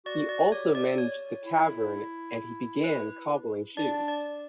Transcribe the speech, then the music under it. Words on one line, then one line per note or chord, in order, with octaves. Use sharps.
He also managed the tavern and he began cobbling shoes.
F#4 D5
D5
G4 C#5
D5
C#5
E4
B4
D4 D5
D5